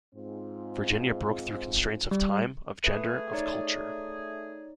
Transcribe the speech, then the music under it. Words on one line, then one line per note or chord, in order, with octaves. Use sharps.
Virginia broke through constraints of time, of gender, of culture.
G#2 C4 F4
G3
A3 G#4 B4
D#4 C#5 D5